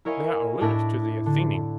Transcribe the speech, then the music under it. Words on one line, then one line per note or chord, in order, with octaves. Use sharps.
'Thou alludest to the Athenian.
E4 A#4 C#5 D#5 F5 G#5
A2 D4 E4 A#6
D3